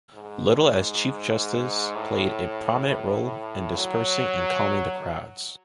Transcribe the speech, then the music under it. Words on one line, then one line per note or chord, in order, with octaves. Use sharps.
Little, as Chief Justice, played a prominent role in dispersing and calming the crowds.
G#2
A2
F#3